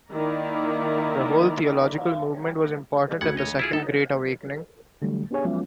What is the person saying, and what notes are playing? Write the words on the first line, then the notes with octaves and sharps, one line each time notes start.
The whole theological movement was important in the Second Great Awakening.
D#3 A#3 E4 D5 A#5
D2 F#5 G#6
C#5 D#5
E4 F4 G#4
D#4 A4
D3 E3 F#3 G3 A3
B3 D4 G4 G#4 C#5 G#5
F3 F#3 G#3 B3 C#4 F4